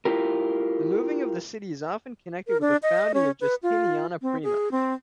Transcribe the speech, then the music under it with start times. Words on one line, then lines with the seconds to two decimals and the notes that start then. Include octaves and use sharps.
The moving of the city is often connected with the founding of Justiniana Prima.
0.05 E4 F4 G4 A#4
2.48 A#4
2.61 D4
2.83 D#5
3.14 C#4
3.41 B4
3.63 F4
4.22 C4
4.43 G#4
4.72 C4